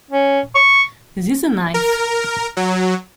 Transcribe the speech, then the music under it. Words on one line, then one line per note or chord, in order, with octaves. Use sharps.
This is a knife!
C#4
C#6
A#4
F#3